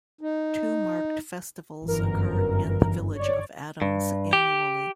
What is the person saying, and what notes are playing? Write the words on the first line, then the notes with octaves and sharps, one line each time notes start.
Two marked festivals occur in the village of Adams annually.
D#4
G1 F#2 E3 A#4
C#5 D5
G2
G4